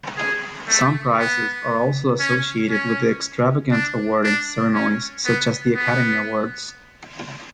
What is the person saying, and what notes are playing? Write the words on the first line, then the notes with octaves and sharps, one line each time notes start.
Some prizes are also associated with extravagant awarding ceremonies, such as the Academy Awards.
G#4
A3
B3
C#4
C#4
D4
D4
C#4
B3
B3